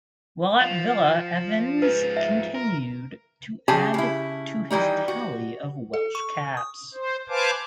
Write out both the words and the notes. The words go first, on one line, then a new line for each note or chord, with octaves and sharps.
While at Villa Evans continued to add to his tally of Welsh caps.
F3 F5
G#2 F3 B4
E5
A#4
C#3 G4 G#4 G#5 A5
C#3 E4
D#3 E3 G3 D#4
F#4
A4
C#6
D#6
C5
B4 C5 F5 G#5 A5 D6